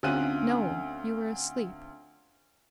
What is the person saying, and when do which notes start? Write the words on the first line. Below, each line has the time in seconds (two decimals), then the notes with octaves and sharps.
"No, you were asleep."
0.03 D2 C4 C#4 F4 F#6 D#7